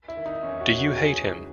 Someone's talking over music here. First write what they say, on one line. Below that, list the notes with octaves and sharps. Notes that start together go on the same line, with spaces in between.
Do you hate him?
E4
D#3
D#4
E2 C#4
F#4
D#3
F#4
C#2 G#4
C#3 E3